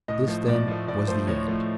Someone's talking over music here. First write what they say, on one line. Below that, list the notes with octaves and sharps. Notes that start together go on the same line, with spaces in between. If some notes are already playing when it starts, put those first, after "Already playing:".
This, then, was the end.
A2 D#5
F3 A3
A2 D5
F3 A3
A2 D5
F3 A3 C5
A2 C#5
F3 A3